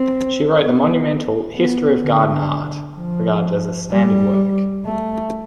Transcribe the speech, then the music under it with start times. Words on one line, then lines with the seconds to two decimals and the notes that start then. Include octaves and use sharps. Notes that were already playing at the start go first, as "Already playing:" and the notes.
She wrote the monumental "History of Garden Art", regarded as a standard work.
Already playing: C4
0.60 B3
1.54 B3
2.02 D3
2.96 F3
3.90 G3
4.86 A3